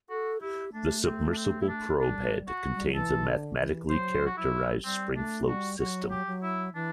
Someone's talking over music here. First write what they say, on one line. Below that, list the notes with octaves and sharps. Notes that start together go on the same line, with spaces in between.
The submersible probe head contains a mathematically characterized spring-float system.
F#4 A4
E4 G4
A3 D4
C4
D4
C4
E4
D4
G3 D4
F#4
G3
F#3
E3 A4
D3
E3
F#3 C5
F#4
F#3 E4
G3 C4
A3 D4
G3 F#4
F#3 F#4
G4
F#3
E4
E3 D4